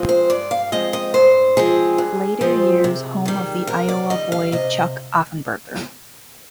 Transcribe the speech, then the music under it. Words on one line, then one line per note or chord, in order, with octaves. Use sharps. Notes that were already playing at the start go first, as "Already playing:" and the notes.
Later years home of the "Iowa Boy" Chuck Offenburger.
Already playing: F3 G#3 C4
C5
G2 D5
F5
F3 G#3 C4 D#5
D#5
G2 C5
F3 G#3 C4 G#4
G2
F3 G#3 C4
C3
D#3 G3
C3 A#4
D5
D#3 G3 D#5
F5
C3 D#5